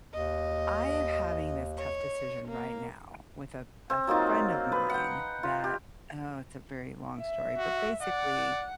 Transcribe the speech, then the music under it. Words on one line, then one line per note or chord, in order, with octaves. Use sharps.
I'm having this tough decision right now with a a friend of mine that Oh, it's a very long story, but, basically,
D#2 D#5
C#5
A#3
C4
F#3 A#3 D#4 F4
B4
F#5 G5
F4
G4
E5
F#4
D5 F#5